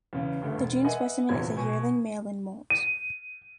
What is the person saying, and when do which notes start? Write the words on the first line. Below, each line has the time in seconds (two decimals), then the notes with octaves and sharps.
The June specimen is a yearling male in moult.
0.13 E2 C#3
0.42 G1 G2 A3
0.57 E1
0.84 B4 D#5 E5 F#5 G#5
1.29 A#1 E2 C3 F#3 B5 G#6
1.56 B2 G#5 C#6
2.70 D#7